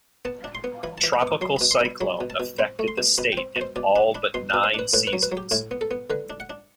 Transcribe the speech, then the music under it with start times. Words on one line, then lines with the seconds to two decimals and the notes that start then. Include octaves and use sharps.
Tropical cyclone affected the state in all but nine seasons.
0.25 B3 A5
0.44 D4
0.55 C6
0.64 B3
0.83 E3 B5
0.98 A5
1.03 E3
1.13 B5
1.22 B3
1.27 D6
1.41 F#3 C6
1.56 B5
1.61 B2
1.71 C6
1.80 B2 B5
2.01 F#3 B5
2.21 B2
2.30 A5
2.40 B2
2.59 C4 B5
2.79 A3
2.88 C6
2.98 B2
3.18 B2 B5
3.32 G5
3.37 C4
3.56 B2
3.61 C5
3.76 B2 D5
3.96 D4 B5
4.15 D4 B5
4.34 B2 C6
4.50 A5
4.54 B2
4.64 C5
4.74 D4 B4
4.93 A2 B4
5.07 B4
5.13 F#3
5.23 B4
5.32 F#3
5.37 G4
5.51 A2 E4
5.71 B3
5.81 A4
5.91 B3
6.10 D3 B4
6.30 D4
6.40 F#5
6.50 D4